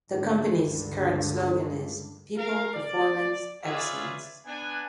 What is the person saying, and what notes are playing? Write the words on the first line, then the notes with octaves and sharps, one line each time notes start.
The company's current slogan is, People, performance, excellence.
G#2 D3
C#2 G2 D3
A#4 F5
D5
C#4 F4 G#4 B4 D5 E5
B3 D4 G#5